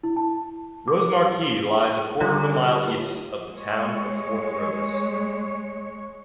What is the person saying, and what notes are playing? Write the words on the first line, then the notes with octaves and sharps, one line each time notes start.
Rosemarkie lies a quarter of a mile east of the town of Fortrose.
E4
A5
D6
D3 G3 D#4 F4 G4 C#5
G#3 C#5